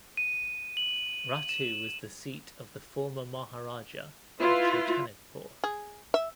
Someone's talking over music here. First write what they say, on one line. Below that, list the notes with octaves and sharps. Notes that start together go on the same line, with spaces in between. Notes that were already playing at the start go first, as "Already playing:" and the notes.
Ratu was the seat of the former Maharaja of Chotanagpur.
D#7
F#7
E7
E4 F4 B4
G#4
E5